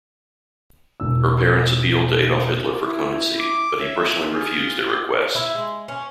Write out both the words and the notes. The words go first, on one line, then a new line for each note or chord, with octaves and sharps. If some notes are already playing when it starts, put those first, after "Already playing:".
Her parents appealed to Adolf Hitler for clemency, but he personally refused their request.
E1 E6
E4
D6
C#5 E5
F4 G#4
G4
E4
G#3
C#4